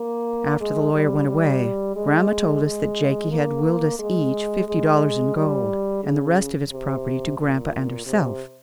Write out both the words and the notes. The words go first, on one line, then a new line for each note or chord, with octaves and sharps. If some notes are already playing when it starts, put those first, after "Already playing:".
After the lawyer went away, grandma told us that Jakie had willed us each fifty dollars in gold, and the rest of his property to grandpa and herself.
Already playing: A#3
G#3
G3
G3
G#3
G#3
A#3
G#3
G#3
G3
C#3
C3
A#2
C3